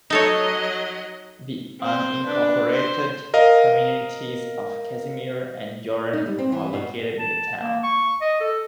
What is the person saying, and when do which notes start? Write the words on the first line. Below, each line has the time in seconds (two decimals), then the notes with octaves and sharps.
The unincorporated communities of Casimir and Jordan are located in the town.
0.10 F#3 D#4 A4 C#5 D#5
1.79 C4 C5
2.26 D4 B4
2.71 C5
3.34 A#4 D#5 F5
6.13 D#4
6.26 G3
6.39 C4
6.52 E3
6.73 B2
7.19 A5
7.62 A#3
7.83 C#6
8.21 D#5
8.40 A4